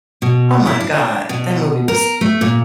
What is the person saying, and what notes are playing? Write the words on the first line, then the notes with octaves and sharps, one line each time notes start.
oh my god. That movie was
B2
E4
D4
B2
A#4
A3
A#2